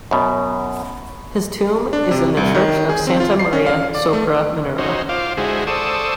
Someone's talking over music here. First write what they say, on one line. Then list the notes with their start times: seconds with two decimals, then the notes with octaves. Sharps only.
His tomb is in the church of Santa Maria sopra Minerva.
0.11 F#2 B2
1.93 D4
2.11 C3
2.37 C2
2.55 D#3
2.89 G#4
3.07 C4
3.20 F4
3.39 C7
3.53 C#4
3.66 F5
3.95 D5
4.13 A3
4.78 C#4 D#4 F#4 C5
5.09 F4 C5 F5 D6
5.37 D3 G#3 E4 F#4 G#4 C5
5.67 A4 C5 D5 C#6 D#6 E6